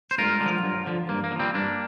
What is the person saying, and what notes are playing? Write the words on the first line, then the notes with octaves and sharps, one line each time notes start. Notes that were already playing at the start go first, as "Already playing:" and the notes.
Teaming is not allowed in the game.
C5
G2 F4 A#4
D3
F3
G2
D3 F3
G2 A#3
A#3
D3
F3 G3 C4
G2 A#3 D4